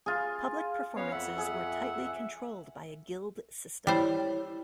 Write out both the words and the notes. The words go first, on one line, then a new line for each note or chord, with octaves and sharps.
Public performances were tightly controlled by a guild system.
F4 G#4
B3 C#4 C#5 F5
F2 E5 F#5 E6
G#4
G3 E4 C5 C#5